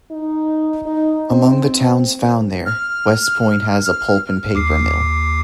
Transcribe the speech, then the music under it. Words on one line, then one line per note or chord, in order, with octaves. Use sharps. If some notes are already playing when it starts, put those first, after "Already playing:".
Among the towns found there, West Point has a pulp-and-paper mill.
D#4
D#4
C4
F6
F6
D#2 D6 C7